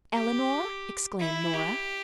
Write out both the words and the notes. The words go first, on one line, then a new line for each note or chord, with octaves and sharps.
"Eleanor?" exclaimed Nora.
G4
E4
G4